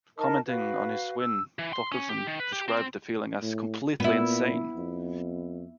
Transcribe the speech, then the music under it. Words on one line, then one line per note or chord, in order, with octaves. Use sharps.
Commenting on his win, Thorkildsen described the feeling as "completely insane".
D#4 A#4 D#5 A5
F#4 B4 F5
E6
E3
C6
C#4
G4
D#3
B4
G4
C4
A2
A#2 B3 E4
F2